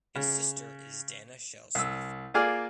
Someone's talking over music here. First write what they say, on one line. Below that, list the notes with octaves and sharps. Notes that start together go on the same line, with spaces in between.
His sister is Dana Shell Smith.
C#3
C2 E6
A#3 F4 G#4 D5 G#5 F6